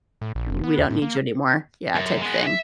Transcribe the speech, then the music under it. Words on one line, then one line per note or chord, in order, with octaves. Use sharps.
"We don't need you anymore," yeah, type thing.
A2
A#1
F1
B3
D#2
A2
A#3
F#2
G#3 B3
E5